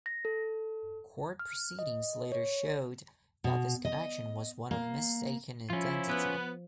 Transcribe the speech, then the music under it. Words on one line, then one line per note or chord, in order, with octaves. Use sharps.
Court proceedings later showed that this connection was one of mistaken identity.
A#6
A4
F6
D#5
C#5
B2
D#5
A#3
F3 C#4 E4 F4
B3